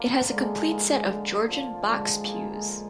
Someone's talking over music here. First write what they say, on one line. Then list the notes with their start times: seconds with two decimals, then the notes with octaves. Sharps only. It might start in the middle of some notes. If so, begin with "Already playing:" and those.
It has a complete set of Georgian box pews.
Already playing: D3 F3 A#3
0.30 D3 G#3
0.69 F3 A#3
1.08 D3
1.48 F3 A#3 F4
1.88 D3 G#3
2.28 F3 A#3 F4
2.68 F3